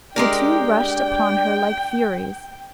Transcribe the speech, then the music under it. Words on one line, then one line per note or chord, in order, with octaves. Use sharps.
The two rushed upon her like furies.
G#3 D4 G4 A#4 G5